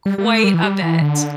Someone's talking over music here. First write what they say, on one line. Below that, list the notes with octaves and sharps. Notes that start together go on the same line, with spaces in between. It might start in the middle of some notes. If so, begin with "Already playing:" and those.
quite a bit,
G3
G3
A3
G3
E3
G3
E3
D3